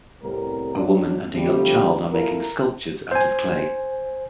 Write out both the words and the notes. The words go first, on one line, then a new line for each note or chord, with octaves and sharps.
A woman and a young child are making sculptures out of clay.
C2 A2 C3 G3 B3 A#4
F#3 D4
D3 F3 G3 A3 C4 G4
E4 F4 A4 A#4
C5 G#5